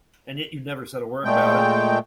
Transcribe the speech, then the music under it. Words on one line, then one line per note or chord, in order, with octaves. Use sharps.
And yet you never said a word about it!
A#2 G#3 A3 G5